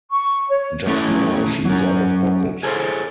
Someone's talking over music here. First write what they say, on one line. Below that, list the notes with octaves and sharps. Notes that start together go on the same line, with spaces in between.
Just now she is out of pocket.
C#6
C#5
A3 C#4 E4 A4
F#3 C#4
G#4 A4 C5